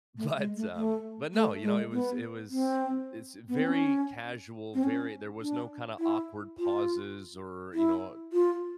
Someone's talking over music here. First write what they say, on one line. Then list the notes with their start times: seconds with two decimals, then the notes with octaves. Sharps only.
But um, but, no, you know, it was it was it's very casual, very there was no kind of awkward pauses, or, you know, uh,
0.17 A3
0.37 G#3
0.56 A3
0.75 A3
1.34 A3
1.63 G#3
1.92 B3
2.50 C4
3.48 B3
3.58 C4
3.67 C#4
4.74 C4
4.84 C#4
5.41 D4
5.99 E4
6.58 F4
7.74 E4
8.33 F4